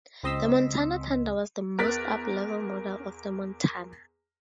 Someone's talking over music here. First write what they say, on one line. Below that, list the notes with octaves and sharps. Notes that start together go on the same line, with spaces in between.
The Montana Thunder was the most up-level model of the Montana.
C#2 C4 D#5 C6 E6 B6
E2 A#4 F#6 A6 B6